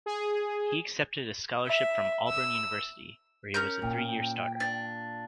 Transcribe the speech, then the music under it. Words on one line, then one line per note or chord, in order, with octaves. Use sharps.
He accepted a scholarship from Auburn University, where he was a three-year starter.
G#4
E5
E6
C#4 A#4 G6
A#2 G5
D4